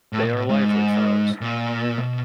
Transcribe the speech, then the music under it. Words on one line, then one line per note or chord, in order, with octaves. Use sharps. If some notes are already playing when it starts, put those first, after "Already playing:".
They are lively fellows.
A2
A#2
A2
G#2
A#2
B2